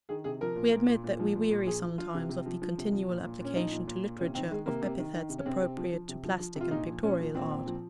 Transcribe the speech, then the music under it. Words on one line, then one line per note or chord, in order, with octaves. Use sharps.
We admit that we weary sometimes of the continual application to literature of epithets appropriate to plastic and pictorial art.
D#3 G#4
C3 G#4
F3 A#4
A#2
A#2
A#2
A#2
F3
A#2
A#2
F3 G#4
F3
F3 F4
C3
C3
F3
F3
C3
F3
A#2
A#2
A#2 C#4
F3 D#4
A#2
A#2
A#2
C3 C#4
D#3 C4
D#3 G#3
C3 A#3
C3
D#3
D#3
C3
C#4
C3 C4
C3
F3
F3
C3
F3
F3
C3
F4
A#2 D#4
F3
A#2 C#4
F3
A#2 C4
A#2
F3